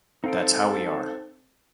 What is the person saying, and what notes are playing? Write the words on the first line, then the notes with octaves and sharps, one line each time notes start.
That's how we are.
C4 D#4 A4 F5 G5